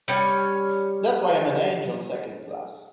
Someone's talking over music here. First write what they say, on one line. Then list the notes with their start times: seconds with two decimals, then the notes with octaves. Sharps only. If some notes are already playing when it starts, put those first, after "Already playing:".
That's why I'm an angel Second Class.
0.08 G3 C#4 C#5